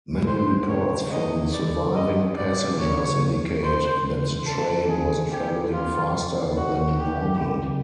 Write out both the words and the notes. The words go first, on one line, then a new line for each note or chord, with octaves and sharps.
Many reports from surviving passengers indicate that the train was travelling faster than normal.
C5
C#5
D#5
D5
D#5
D5
C#5
C5
A4
G#4
G4
F4
F#4
G4